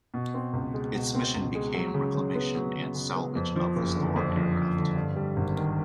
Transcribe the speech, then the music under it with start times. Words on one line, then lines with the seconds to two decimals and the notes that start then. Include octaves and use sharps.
Its mission became the reclamation and salvage of the stored aircraft.
0.14 B2
0.34 C4
0.53 C#2
0.74 G#3
0.94 B2
1.15 C4
1.35 C#2
1.55 G#3
1.74 F#3
1.94 C#3
2.15 C#3
2.35 B3
2.55 F#3
2.75 C#3
2.95 C#3
3.15 B3
3.36 F2
3.56 F3
3.76 F#1
3.96 D3
4.16 F2
4.35 F3
4.56 F#1
4.76 D3
4.96 G2
5.16 G3
5.36 G#1
5.56 D#3